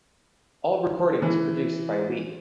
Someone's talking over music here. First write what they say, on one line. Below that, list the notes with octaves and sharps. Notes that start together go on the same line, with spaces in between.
All recordings produced by Lee.
E3